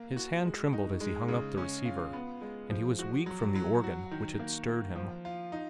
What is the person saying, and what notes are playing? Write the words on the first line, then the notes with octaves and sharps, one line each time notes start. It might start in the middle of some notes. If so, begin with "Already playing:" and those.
His hand trembled as he hung up the receiver, and he was weak from the organ which had stirred him.
Already playing: A#3
F#4
G#3
D#4
G#3
C#3
C#4
F4
B3
G#3
F3
F#4
F#3
F#3
F#4
D#3
A#3
A#3
F3
F4
D#4